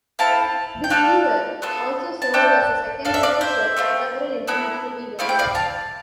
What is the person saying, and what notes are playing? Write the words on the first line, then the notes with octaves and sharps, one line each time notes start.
Bisguier also served as a second to Fischer at several international events.
C4 E4 A4 F5 A5
G5
D4 F4 A4 F5 A5
B3 F4 A4
A5
D4 A4 E5 G5
D4 A4 F5
E5
D5 F5
C5 E5
A3 C4 F4
B3 E4 A4
A3 C4 E4 F5
G5
D5 F5
F5 A5